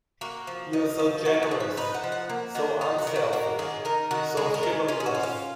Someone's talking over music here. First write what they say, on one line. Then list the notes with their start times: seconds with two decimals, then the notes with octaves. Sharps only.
You are so generous, so unselfish, so chivalrous.
0.21 A#3 F#4
0.47 F3
0.73 D#4
0.99 F3
1.25 A#3 F#4
1.43 G#4
1.51 F3
1.60 B4
1.77 D#4 B4
1.95 F#5
2.04 F3
2.12 F#5
2.29 A#3
2.55 D#3 F#4
2.81 D#4 F4
2.99 F#4
3.07 D#3
3.16 F#4
3.33 A#3 F#4
3.59 D#3 G#4
3.85 D#4 A#4
4.11 D#3 F#4
4.37 G#3 G#4
4.54 A#4
4.63 D#3
4.88 C#4 F4
5.00 G#4
5.06 F#4
5.15 F4
5.23 F5